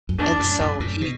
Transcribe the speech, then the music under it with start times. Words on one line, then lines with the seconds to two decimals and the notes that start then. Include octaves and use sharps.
and so, he,
0.09 F#2
0.18 E2 G2 D4
0.39 F#2 A2
0.60 F#2 A2
0.80 F#2 A2
1.01 B2